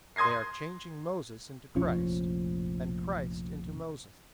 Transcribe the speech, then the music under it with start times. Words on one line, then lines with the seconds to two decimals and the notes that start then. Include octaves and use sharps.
They are changing Moses into Christ, and Christ into Moses.
0.16 C6 D#6 G#6 A#6 C7
1.75 F1 A#1 F3 C#4